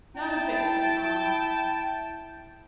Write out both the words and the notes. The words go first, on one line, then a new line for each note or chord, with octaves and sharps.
"Not a bit," said Tom.
E4 G5 A5